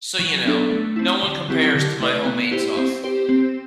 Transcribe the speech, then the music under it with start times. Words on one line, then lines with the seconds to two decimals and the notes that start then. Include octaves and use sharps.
So, you know, no one compares to my homemade sauce.
0.19 F#3
0.45 B3 D4 A4
0.71 A3
0.96 C4 E4
1.23 D3
1.49 F#3 C4 E4 G4
1.74 D3
2.00 A3 E4 B4 D5
2.25 B3
2.51 E4 G4 C5
2.77 C4
3.04 G4 C5
3.29 C4